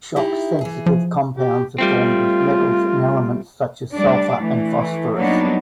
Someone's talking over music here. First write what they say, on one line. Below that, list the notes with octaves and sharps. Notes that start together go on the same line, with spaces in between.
Shock-sensitive compounds are formed with metals and elements such as sulfur and phosphorus.
D#4 E4 G4
E3 G#4
F3
G4
G3 A3 C4 F4
G3 A3 D4 D5
E3 A3
F#3 G3 A#3 B3 D4 D#4